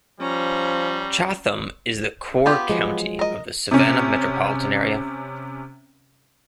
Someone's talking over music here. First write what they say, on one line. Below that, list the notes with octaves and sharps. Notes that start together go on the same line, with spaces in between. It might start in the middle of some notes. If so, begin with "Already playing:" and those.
Chatham is the core county of the Savannah metropolitan area.
F3 G3 C#4 A#5
B3 F4 G4
F3 F#3 G#3
A#4 D#5
C3 C#4